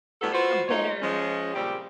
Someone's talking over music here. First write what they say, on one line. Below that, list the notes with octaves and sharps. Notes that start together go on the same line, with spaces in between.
a better
A2 F#3 G3 B3 F#4 A4
F4 F#4 B4 C5
G#3 D#4 F4 C#5
F3 G#3 C#4
A#2 C#3 G3 C4 G4